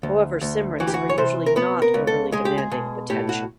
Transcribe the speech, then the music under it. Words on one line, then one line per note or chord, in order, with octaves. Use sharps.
However, Cymrics are usually not overly demanding of attention.
D2
D2
E3 F#4
G4
F#4
C#5
C3 C5
A#4
B3 B4
A#4
C#2
A4
G#3 G#4
G4
G#4
B2
A2 G4
F#4